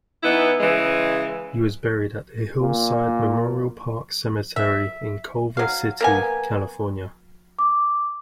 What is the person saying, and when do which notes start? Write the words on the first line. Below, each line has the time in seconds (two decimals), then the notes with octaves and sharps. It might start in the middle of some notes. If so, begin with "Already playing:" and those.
He was buried at the Hillside Memorial Park Cemetery in Culver City, California.
0.23 E3 B3 D#4 E4
0.60 C#3 E3 G#3
2.62 A#2
4.56 E5
5.57 F#3 F5
6.01 A#3 B3 G#5
7.59 D6